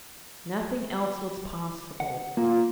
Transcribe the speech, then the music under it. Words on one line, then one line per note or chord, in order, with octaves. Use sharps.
Nothing else was possible.
F#5
A#3 F4